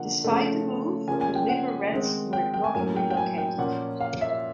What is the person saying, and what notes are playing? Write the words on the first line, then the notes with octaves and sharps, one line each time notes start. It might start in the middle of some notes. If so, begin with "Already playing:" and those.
Despite the move, the River Rats were not relocated.
Already playing: D3 F3 A#3 F#5
C#3 F3 A3 C#4
C#3 F3 A#3 C#4 G#5
G#5
G5
F#5
D#3 G#3 C4
G5
G5
G#5
A2 F#3 A#3 C#4 G#5
G5
G5
G#5
G5
A#2 F3 A#3 C#4 F#5
F5
E5